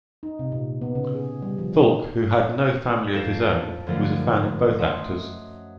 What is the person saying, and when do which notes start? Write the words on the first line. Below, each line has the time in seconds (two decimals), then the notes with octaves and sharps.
Fulk, who had no family of his own, was a fan of both actors.
0.23 D#4
0.39 C3
0.52 A#2
0.82 B3
0.95 C#3
1.15 G#4
1.42 G3
1.58 F3
1.77 D#4
3.14 F2 A4 G6 A#6 C7 E7
3.87 F#2 D3 F3 A3 F4 A#4
4.78 D#5 E5 F#5 C6